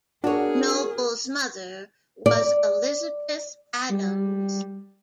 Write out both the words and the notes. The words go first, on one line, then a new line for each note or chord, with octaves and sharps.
Noble's mother was Elizabeth Adams.
D4 F#4 G#4 A#4 C#5
D5
G3